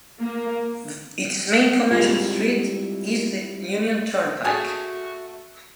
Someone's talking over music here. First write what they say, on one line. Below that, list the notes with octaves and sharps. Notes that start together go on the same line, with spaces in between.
Its main commercial street is the Union Turnpike.
A#3
G3 G#3 C4 E4 F4
A3 F#4 G#4